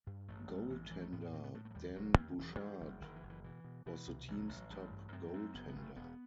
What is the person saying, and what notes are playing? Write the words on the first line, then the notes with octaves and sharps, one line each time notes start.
Goaltender Dan Bouchard was the team's top goaltender.
G2 G3
A1 A3
G2 G3
A1 E3
A1 E3
A3
A2 B3
B3
A2 C4
B3
A2 A3
A3
F#3
D#2 G3
E1 F#3
D#2 E3
D#3
E1 E3
F#3
E2 G3
F#1
F#1 D#3
E3
F#1
E3
B2 E3
B2
B2 E3
C2
A1 E3
F#3
A1
F#3
A1 G3
G2
F#2 C4
F#2
F#1 B3
B3
F#1
A3
E1 B3